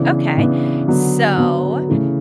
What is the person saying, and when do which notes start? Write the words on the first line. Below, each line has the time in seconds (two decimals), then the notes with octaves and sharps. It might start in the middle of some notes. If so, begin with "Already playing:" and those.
Okay. So,
Already playing: C#3 E3 B3 D4
0.38 C#3 E3 B3 D4
0.88 D3 F#3 B3
1.38 D3 F#3 B3
1.88 C#3 E3 A3 E4 A4